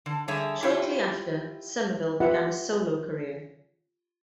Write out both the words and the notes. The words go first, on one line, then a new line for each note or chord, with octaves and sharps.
Shortly after, Somerville began a solo career.
D3
D3 G3 G#4 C#5 E5
E4 F4 G4 C#5 E5
F4 G4 B4 E5 F#5